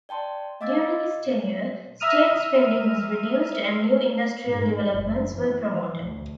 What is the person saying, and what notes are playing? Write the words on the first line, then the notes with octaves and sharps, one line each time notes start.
During his tenure, state spending was reduced and new industrial developments were promoted.
D5 G5 A5 C6
D#5 F5 D6 E6 G#6 A6
E5 A#5 D#6 F6 D#7
G#2
F#1
E3
E3
D2